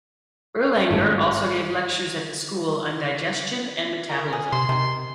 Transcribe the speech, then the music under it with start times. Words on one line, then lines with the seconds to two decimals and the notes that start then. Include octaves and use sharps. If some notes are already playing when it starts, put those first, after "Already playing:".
Erlanger also gave lectures at the school on digestion and metabolism.
0.91 G#1 G2 A3
4.09 A#4
4.33 G#4
4.53 C3 C6
4.69 C3 D#3